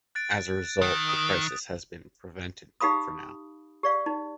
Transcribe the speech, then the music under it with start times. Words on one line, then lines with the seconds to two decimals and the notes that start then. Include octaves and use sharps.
As a result the crisis has been prevented for now.
0.15 F#6 A6 D7
0.82 D#3 F#6
1.09 D#6 B6
2.80 D#4 G4 F5 B5 D#6
3.83 G4 D5 F5
4.06 D#4